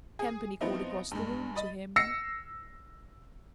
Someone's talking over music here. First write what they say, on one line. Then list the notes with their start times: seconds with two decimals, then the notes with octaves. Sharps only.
Campany called across the room to him.
0.19 G#4
0.61 F3 B3 C4 D#4 E4
1.11 G2 G#3
1.55 D#5 B5 A6
1.96 E6 A#6 C7 C#7